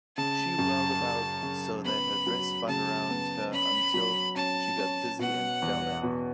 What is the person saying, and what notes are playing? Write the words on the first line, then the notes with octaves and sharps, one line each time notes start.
She whirled about so that her dress spun around her until she got dizzy and fell down.
C#3 A5
F#2
C#3
C#3
B3 B5
F#3
C#3 A5
B3
C#4 B5
F#3
C#4 A5
C#4
B2 F#5
E2
B2